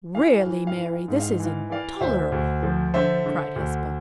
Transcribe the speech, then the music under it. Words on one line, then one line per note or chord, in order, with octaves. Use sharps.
"Really, Mary, this is intolerable!" cried Hesper.
E3 F5
F5
E3
F5
E3
F5
G#2
F5
E3
F5
E3 D5 F5
D2 C5 E5
D2
F3
D3 C5 E5
D3
D2